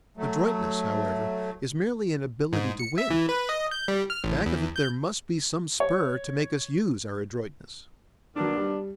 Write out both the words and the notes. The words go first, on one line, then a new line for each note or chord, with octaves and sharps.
Adroitness however is merely an ability to win; back of it there must be some spur to make us use our adroitness.
F#3 A3
G#2
C#7
E5
E3
B4
D#5
G6
G3
F6
A1
E2
G6
C#5
D#3 F#3 A#3 B3 D4
G3